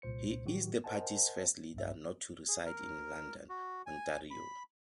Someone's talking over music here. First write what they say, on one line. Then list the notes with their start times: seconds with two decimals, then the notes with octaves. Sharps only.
He is the party's first leader not to reside in London, Ontario.
0.02 C2 A#2 C5 C#7
0.45 A2 D#3 F#3 F#4 G4
0.84 A#4 C5 D#5 F#5 G#5 A5
1.74 B1 G2 E5
2.48 G#4
2.66 A#4
3.49 F#4
3.86 G#5
4.31 B5